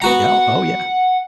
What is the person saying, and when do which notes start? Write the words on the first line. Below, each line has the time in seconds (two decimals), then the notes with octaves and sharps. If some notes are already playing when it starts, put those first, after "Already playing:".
Yeah, oh yeah.
0.02 B3 F#4 F#5 A#5